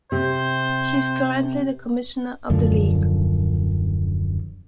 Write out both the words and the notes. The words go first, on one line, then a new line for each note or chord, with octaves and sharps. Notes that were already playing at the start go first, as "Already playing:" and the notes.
He is currently the commissioner of the league.
C3 C5
D#1 F#2 D3 F3